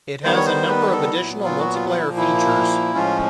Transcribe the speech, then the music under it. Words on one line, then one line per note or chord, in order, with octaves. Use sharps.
It has a number of additional multiplayer features.
D#3 G3 B3 C5
C#5
C5
B4
A4
A#2 F#3 B3 E4
F4
F#4
F4
F4
E4
A#2 F3 A#3
E4
A2 F3 G#3 C#4 F4